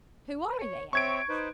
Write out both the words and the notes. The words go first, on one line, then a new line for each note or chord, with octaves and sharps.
"Who are they?" I asked.
C#5
C4 C#5 E5 C#6 G#6 D7
D#4 B4 C5